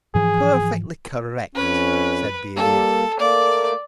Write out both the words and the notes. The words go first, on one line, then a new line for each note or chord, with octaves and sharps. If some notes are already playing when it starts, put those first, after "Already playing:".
"Perfectly correct," said the Idiot.
G#2 E3 F3 G#4
F2 C#4 B4
G3 A#3 A4
A3 A#3 D5